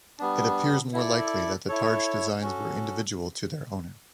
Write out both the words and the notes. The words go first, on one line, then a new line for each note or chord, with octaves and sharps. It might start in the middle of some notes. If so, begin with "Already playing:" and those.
It appears more likely that targe designs were individual to their owner.
G3 B3 D4
E4 A4 D5
E4 A4 C#5
C#4 F#4 A4